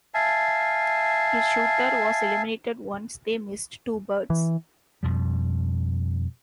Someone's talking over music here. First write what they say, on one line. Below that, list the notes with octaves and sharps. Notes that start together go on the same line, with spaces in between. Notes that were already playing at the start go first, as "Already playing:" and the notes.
A shooter was eliminated once they missed two birds.
E5 F5 G#5 A5
E3
F2 B2 G3